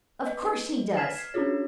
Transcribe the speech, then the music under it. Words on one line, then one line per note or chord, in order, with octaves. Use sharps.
Of course he does.
B4 D#5
F6 G#6 B6 C7 E7
C#4 D4 F4 F#4 G#4 C#5